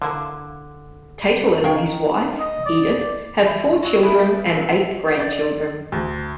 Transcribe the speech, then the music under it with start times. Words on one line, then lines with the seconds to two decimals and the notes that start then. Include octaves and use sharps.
Tatel and his wife, Edith, have four children and eight grandchildren.
0.02 D3 A#3 E4 F4
1.64 C#4 D#4 A#4 C#5 F5 G5
2.40 D#5
2.66 D5
3.40 E3
3.83 F#3 F#4
4.02 A3 D4 E4 G#4 A#4 B4
4.45 G2 A#2 E3 C4
5.19 D5
5.92 D2